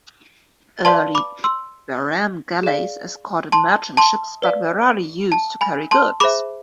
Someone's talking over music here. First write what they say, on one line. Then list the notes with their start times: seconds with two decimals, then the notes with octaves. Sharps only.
Early bireme galleys escorted merchant ships but were rarely used to carry goods.
0.85 B4 D5 F5 A5 C6
1.15 B5 D6
1.44 C6 E6
2.63 G#4 D5 F5
3.52 A5 C6
3.97 A5 C6
4.42 B4 D5 F5
5.32 A5
5.61 G#5 B5
5.91 A5 C6
6.20 G#4 C5 E5 B5 D6